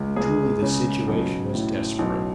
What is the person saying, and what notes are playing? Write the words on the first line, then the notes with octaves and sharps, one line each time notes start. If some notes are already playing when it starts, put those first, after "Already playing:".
Truly the situation was desperate.
Already playing: C#2
C#2 G#4
C#3
B1
A2
B1